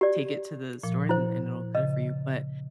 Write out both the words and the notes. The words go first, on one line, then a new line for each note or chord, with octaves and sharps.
take it to the store and and it'll cut it for you, but,
G4 D5
A#2 F3
E4 C5
C#3 D#5